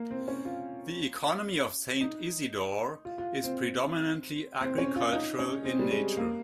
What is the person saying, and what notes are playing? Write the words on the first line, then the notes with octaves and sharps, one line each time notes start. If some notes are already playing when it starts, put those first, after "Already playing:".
The economy of Saint Isidore is predominantly agricultural in nature.
Already playing: A#3
C4
C#4
F4
D#4
F4
F4
C4
C4
C#4
F4
D#4
C#4
C4
G3
G#3
A#3